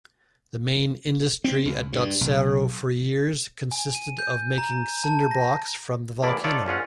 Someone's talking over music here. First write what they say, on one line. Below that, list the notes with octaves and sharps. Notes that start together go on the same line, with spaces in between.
The main industry at Dotsero for years consisted of making cinderblocks from the volcano.
C4
C#2
G2
B1
G#5
D#7
G6
A#5
A5
A#6
E2 A2 A#3 E4 D5
D#4 F4 A4 C#5 D5 E5
A#1 C#4 F4 F#5